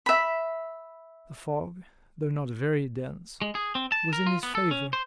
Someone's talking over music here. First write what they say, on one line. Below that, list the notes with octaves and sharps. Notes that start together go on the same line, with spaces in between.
The fog, though not very dense, was in his favour.
E5 B5
G#3
G#4
C4
A5
A#4
F4
B3
A4
C#4
C5